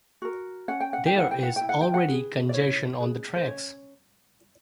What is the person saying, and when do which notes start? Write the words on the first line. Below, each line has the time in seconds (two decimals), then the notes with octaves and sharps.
There is already congestion on the tracks.
0.22 F#4 A#4
0.68 C#4 F#5
0.80 G5
0.93 F#5
1.06 G5
1.15 E4 G4 A#4 F#5
1.31 G5
1.43 F#5
1.56 G5
1.61 E4
1.69 F#5
1.81 G5
1.94 F#5
2.08 G#4 B4
2.49 D5
2.54 E4 C#5
3.00 G#4 B4
3.36 C5
3.46 C#4 C#5